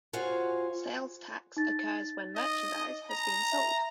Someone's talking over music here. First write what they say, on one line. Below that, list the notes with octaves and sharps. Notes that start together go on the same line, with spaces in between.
Sales tax occurs when merchandise has been sold.
F4 F#4 G#4 C5 C#5 F5
D#4 A6
D#5
A#5
E5